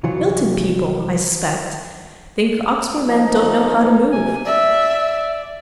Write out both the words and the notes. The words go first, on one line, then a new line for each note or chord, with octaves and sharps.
'Milton people, I suspect, think Oxford men don't know how to move.
C2 E3 F#3 F4 C#5
F3 D#4
C3 G#5
D5 E5